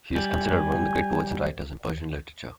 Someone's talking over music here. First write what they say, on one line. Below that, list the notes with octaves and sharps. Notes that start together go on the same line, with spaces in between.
He is considered one of the great poets and writers in Persian literature.
G3 G#5